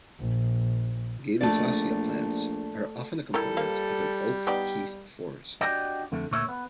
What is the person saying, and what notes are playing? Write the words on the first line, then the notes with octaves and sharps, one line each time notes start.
"Gaylussacia" plants are often a component of an oak-heath forest.
A#1
A#1 A3 D5
G3 E4 G4 A4 A#4
F3 A#3 F5
B3 D#4 G4 D5
D4 F#4 G4 D5 D#5
F2 D3 A3
D2 A#2 C#5 E5
B3